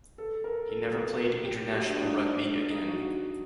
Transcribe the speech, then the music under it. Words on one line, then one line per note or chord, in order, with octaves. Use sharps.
He never played international rugby again.
A4
A#4
A4
A4
A#4
A#4
G4
F#4
D4
D4
D#4
D4
D#4
F#4